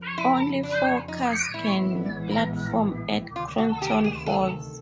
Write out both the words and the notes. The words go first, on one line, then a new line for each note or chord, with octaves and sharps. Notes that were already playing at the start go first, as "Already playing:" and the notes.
Only four cars can platform at Croton Falls.
Already playing: F2 C#3 F3
E4
D4
D#4
A#1 A2 E3 G#3 B3 E4
D2 C3 D#3 F4
F#4
G4
G#4
A4